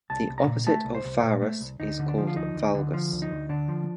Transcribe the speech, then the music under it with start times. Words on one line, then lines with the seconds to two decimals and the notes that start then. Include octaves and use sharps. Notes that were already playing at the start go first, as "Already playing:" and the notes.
The opposite of varus is called valgus.
0.10 C2 A5
0.29 C2
0.38 A#5
0.47 A#2
0.67 A3 A5
0.85 C2
0.95 C5
1.05 C2
1.23 A#2
1.42 A3
1.61 C2
1.80 D2 D#4
1.99 D3
2.08 D4
2.18 F3
2.27 F4
2.36 D2 D#4
2.55 D2
2.75 D3
2.94 F3
3.12 D2
3.22 D#4
3.31 D2
3.49 D3 D4
3.68 F3